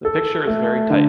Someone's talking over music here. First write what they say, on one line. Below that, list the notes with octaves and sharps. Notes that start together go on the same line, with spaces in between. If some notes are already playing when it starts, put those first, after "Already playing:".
The picture is very tight.
A4
A3
D3